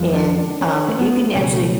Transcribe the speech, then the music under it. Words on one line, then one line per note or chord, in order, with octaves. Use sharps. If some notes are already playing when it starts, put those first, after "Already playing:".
and, um, you can actually
Already playing: F2 F3 G#3
D4
D4
C#4
A3
B3
C#2 B2 F#3 C#4
A3